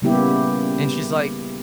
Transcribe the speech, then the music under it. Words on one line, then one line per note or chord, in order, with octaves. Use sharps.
And she's, like,
C#3 G3 A#3 B3 E4 G4